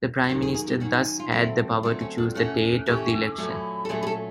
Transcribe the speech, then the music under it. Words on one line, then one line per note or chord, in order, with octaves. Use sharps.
The Prime Minister thus had the power to choose the date of the election.
F#4
D#3 F#3 A#3 C#4 G4
G#4
G#4
G4
D#3 F#3 A#3 C#4 F#4
F4
F4
D3 F#3 A3 C4 E4
D3 F#3 A3 C4 D4
C#4
D4
E3 A3 C#4 F#4
E3 A3 C#4 G4
A#2 F#3 A3 C#4
A4
A#2 F#3 A3 C#4 G#4
G#4
A4